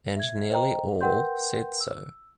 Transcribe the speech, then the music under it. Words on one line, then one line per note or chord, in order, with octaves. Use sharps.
And nearly all said so.
E5 G#6
C5 D#5 G5 A#5
A#4 B4 F#5 G5 C6 G6
E6